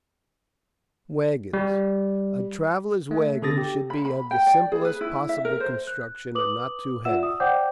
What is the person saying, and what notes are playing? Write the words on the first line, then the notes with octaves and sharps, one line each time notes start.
Wagons.--A traveller's wagon should be of the simplest possible construction, and not too heavy.
G3
A3
D3 B3 A4 D#6 A6 A#6
G4
B5
B5
G5
D5
G#4
B4
E4
E5
A#4
C5
F#6
B4 D6 D#6 F#7
F4 D5 E5 F#5 E6 E7
D#6
C5 D5 F#5 G5 D6 G6